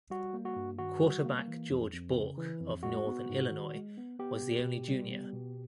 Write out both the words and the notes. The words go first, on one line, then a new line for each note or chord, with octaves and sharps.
Quarterback George Bork of Northern Illinois was the only junior.
G3 F#4
A#3
F#4
G2
D#3 F#4
G3
A#3
E3
F2
F2
C#3
E3
F2
G#3 F#4
B3
G#2
D#3
G#3
B3
B3 G4
B2
B2
G3
B3
B2